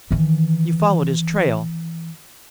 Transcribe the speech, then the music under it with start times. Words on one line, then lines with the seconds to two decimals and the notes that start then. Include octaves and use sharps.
"You followed his trail?"
0.11 D#3 E3